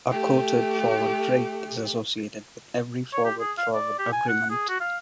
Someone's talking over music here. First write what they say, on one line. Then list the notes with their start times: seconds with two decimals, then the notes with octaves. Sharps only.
A quoted forward rate is associated with every forward-forward agreement.
0.10 A3 G4
3.13 C#5
3.25 G4
3.40 G#4
3.58 F5
3.74 D5
3.99 G4
4.12 G#5
4.29 F#5
4.50 G#4
4.69 F#4
4.81 F5